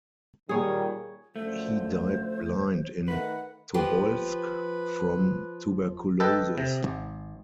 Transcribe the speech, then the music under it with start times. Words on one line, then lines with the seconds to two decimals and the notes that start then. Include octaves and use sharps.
He died blind in Tobolsk from tuberculosis.
0.49 A#2 D#3 G3 G#4 C#5
1.36 F#2 D3 F3 A3 C5
3.08 D#3 A3 B4 F#5
3.74 F3 G4 B4
6.20 A4 B4 D#5 G5
6.58 C3
6.85 G#1